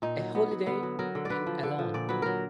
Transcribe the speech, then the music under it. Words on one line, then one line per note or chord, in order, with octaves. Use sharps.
A holiday, and alone!
A#2 D#4
F#3
F#3 B3
F#3
D3 B3
F#3
F#3 A#4
D3
D5
D3 B4
F3
D3
F3
A#2 D5
F#3 B4
F#3 A#4